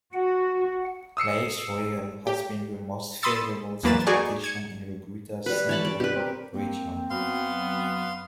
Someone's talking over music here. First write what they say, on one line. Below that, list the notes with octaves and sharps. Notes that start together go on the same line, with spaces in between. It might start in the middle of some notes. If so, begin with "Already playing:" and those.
Light rail has been the most favorable transportation in the Greater Saint Louis region.
F#4 F#5
D#6 E6 C7 C#7
G4
B5 C6 D#6 E6 A6 C#7
E2 F#3 A#3 B4 A6 E7
D#4 F#4 G#4 D5 G#5 C#6
G#6 C#7
G3 B4
E3 C#5 A5 B5
D5
G2 B2 G4 B4
C4 A#4
A#3 C4
F#2 F#3 B3 F5 C6